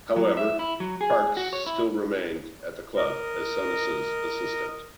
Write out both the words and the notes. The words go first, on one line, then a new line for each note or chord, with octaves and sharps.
However, Parkes still remained at the club as Souness's assistant.
F#3
E5
E4
F#3
G#4
F#4
C#5
E4
A#4 D#5